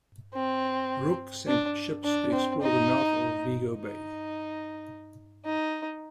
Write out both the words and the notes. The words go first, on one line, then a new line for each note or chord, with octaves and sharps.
Rooke sent ships to explore the mouth of Vigo Bay.
C4
D4
D4
C4
D#4
D#4
D#4